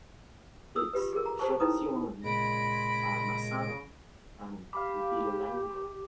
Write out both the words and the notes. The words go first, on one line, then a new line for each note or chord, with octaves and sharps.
Its "frazioni" are Masano and Vidalengo.
D#6 E6
F4 G4 B4
G#4 A#4
A#5
G4 A4 C5 A5 C#6
C#4 D#4 E4 A4 B4 D#6
A#2 C#3 G#3 B5 A#6 D7
G4 F5 B5 D6